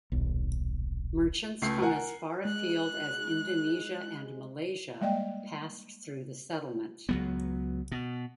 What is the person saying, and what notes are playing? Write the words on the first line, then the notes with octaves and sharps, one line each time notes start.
Merchants from as far afield as Indonesia and Malaysia passed through the settlement.
D#1 B1
C#2 A3 C7
A#4 F#5 G#5
G#3 F#6
G3 G#3 A#3 D5 D#5 G5
C#2 F#3 B3
B2